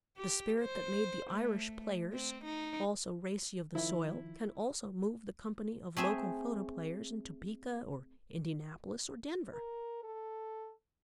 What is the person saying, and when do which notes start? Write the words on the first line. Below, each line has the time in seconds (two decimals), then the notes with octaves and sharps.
The spirit that made the Irish Players, all so racy of the soil, can also move the company of local photoplayers in Topeka, or Indianapolis, or Denver.
0.18 G4
0.61 C5
1.31 A3
2.13 C4
2.45 D#4
3.75 D#3 F3 E4
5.97 A3 C4 G#4 E5
9.54 A#4
10.03 A4